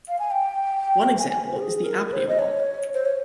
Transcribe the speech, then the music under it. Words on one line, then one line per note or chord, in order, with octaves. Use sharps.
One example is the apnea walk.
F5
G#5
G5
G#5
G#5
C5
G4
G#4
A#4
A#4
C#5
C5
D#5
C#5
C5
C#5